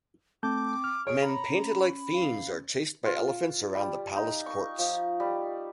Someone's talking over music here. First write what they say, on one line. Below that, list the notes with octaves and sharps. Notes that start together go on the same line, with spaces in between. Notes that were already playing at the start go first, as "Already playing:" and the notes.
Men painted like fiends are chased by elephants around the palace courts.
A3 C4 A5 D6 G6
F6
G#4 C#5 D7
A#5 B5
C#4
F5
F4
G3
D#4
C#6
F3
G3